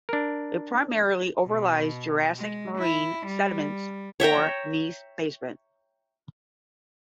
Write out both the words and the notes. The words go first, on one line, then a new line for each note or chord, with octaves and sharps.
It primarily overlies Jurassic marine sediments or gneiss basement.
D4 A#4
B2
G#3
E4
G3
C#5 E5 G5 A#5